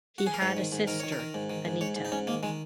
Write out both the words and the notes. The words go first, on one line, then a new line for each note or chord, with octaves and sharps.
He had a sister, Anita.
F#4
G#4
A#4
G#2 C#5
D#3
G#2
D#3 A#4
D#3 C#5
A#4
D#3
G#2
D#3
G#2
G#2 C#5
G#2
D#4
G#2 C#4
D#3 A#3
D#3 G#3